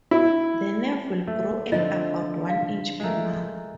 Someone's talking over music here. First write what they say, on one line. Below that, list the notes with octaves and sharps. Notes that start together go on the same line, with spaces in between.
The nerve will grow at about one inch per month.
E4
A3
D3 F3 C4 F4 D#5
F5
G#3 A3 F4 A#4